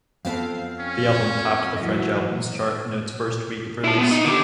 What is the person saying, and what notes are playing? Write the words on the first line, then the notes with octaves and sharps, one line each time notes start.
The album topped the French Albums Chart in its first week of release.
F2 B3 C4 A4 F5
C#4
E3 F#3 D#5
E4 A5
B3
D#4
D3 G4